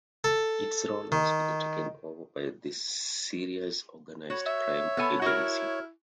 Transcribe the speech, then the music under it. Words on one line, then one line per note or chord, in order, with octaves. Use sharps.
Its role was later taken over by the Serious Organised Crime Agency.
A4
D#3
F#4 C#5
E5
B3 A4 G#5
E4 F#4 A#4